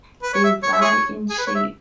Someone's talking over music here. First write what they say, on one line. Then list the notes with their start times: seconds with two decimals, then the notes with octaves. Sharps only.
They vary in shape.
0.23 B4
0.33 C#5
0.44 E5
0.63 C#5
0.73 E5
0.81 E4 G#4 C#5
1.30 G#4
1.38 B4
1.47 C#5
1.55 E5